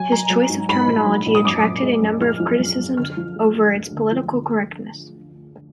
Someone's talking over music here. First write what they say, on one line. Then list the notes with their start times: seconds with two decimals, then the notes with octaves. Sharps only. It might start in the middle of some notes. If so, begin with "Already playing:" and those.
His choice of terminology attracted a number of criticisms over its political correctness.
Already playing: F#3 G#5
0.12 F#3 A#5
0.30 F#3
0.49 G#2
0.69 G#2 B5
0.87 A#1
1.06 F#3
1.26 A#1
1.35 D#6
1.45 F#2 D6
1.63 F#2
1.82 G#3
2.02 F#2
2.21 F3 F6
2.40 F3
2.60 F#2
2.78 F#2
2.97 D3 F6
3.17 F3
3.36 G#3
3.55 G#3
3.74 D2
3.93 D3
4.12 F3
4.31 D3